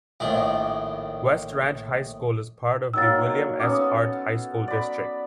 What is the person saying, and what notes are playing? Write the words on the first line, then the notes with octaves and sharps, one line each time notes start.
West Ranch High School is part of the William S. Hart High School District.
A#1 A2 D#3 D5
D#3 F#3 A#3 E6 A6
B3 C#4 A4 D6 D#6
D5 B5